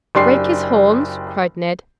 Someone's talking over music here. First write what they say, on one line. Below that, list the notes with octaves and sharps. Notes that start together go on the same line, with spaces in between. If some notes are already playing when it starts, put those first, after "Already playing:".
"Break his horns!" cried Ned.
F#1 D4 G4 C6 C7